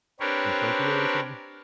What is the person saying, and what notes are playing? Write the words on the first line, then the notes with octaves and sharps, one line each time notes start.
in Tokyo or something?
C4 D4 G4 A#4 B4 C#5